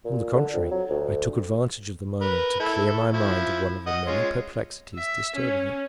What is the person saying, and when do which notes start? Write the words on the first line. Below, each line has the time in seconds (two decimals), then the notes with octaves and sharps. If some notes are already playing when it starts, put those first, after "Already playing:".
On the contrary, I took advantage of the moment to clear my mind of one of the many perplexities disturbing it.
0.04 A#2
0.34 D3
0.54 F2
0.71 F#3
0.90 D2
2.21 A#4 B4
2.60 E4 A4
2.86 A4
3.13 F3 E4
3.87 D#5 F#5
4.07 G#3 C#4 F4
4.95 E5
5.36 C#4